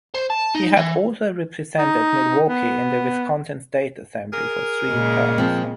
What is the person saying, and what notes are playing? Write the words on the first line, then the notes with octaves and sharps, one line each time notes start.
He had also represented Milwaukee in the Wisconsin State Assembly for three terms.
C5
A5
D#4
E3
D#4
B3
G#4 A#4
A#2 C#3 G#3
F3 C4